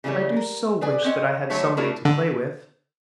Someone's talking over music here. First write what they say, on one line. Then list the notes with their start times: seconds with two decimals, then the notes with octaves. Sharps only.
I do so wish that I had somebody to play with.
0.04 C#3 E3 G3 A3 C#4
0.36 A#4
0.81 G#4 B4 D5 G#5
1.04 C4 C#4 D#5
1.50 D3 F#3 A3 A4 C#5 E5
1.77 A3 D4 E4 F#4 A#4
2.05 D3